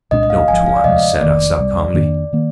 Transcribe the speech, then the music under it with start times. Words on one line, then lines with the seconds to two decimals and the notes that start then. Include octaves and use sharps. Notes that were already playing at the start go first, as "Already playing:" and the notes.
"No, Tuan," said Arsat, calmly.
0.11 C2 A#2 G#3 D4 D#5
0.23 D#5
0.30 F5
0.48 G#1 G#2 F3 G#5
0.66 F5
0.76 D5
0.84 D2 C3 F3 G#3 D#5
1.21 F1 D#2 D#3 A#3 D5
1.57 C2 C3 G3
1.94 F2 D#3 A#3 D4
2.33 D#3 A#3